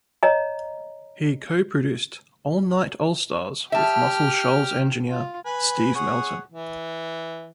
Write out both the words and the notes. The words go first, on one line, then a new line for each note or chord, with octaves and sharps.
He co-produced "Allnight Allstars" with Muscle Shoals engineer Steve Melton.
C#5 D#5 A#5
G4 E5 A5 F6
F4
B4 G#5
G#4 C#5 F#5
E3